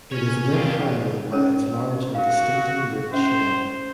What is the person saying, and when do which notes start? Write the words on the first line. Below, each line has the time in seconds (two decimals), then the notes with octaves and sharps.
It is identifiable by its large and distinctly ribbed shell.
0.12 C3 C#4 C#5
0.53 F2 D#3 F4 G4
1.32 C#4 A#4 C#5
2.15 F#4 A#4 F5
3.13 C#4 C5 E5